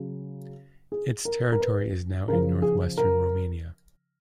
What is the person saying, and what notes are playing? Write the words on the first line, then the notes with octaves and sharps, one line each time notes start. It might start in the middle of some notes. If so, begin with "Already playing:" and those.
Its territory is now in north-western Romania.
Already playing: C#3 F#3
G#4
A#4
A#4
B4
C#3 F3 A#4
G#4
A#4